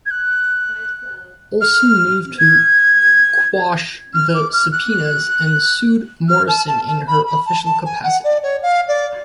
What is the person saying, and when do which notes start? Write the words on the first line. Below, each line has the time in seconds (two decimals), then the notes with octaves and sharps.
Olson moved to quash the subpoenas and sued Morrison in her official capacity.
0.06 G#6
0.11 F#6
1.61 F6
2.39 G#6
4.14 F6
4.34 D6
4.53 F6
4.72 F#6
6.29 F6
6.48 A5
6.67 A5
6.87 A5
7.07 B5
7.26 B5
7.46 A5
7.65 A5
7.85 G#5
8.04 F#5
8.24 D5
8.43 C#5
8.63 F5
8.88 D5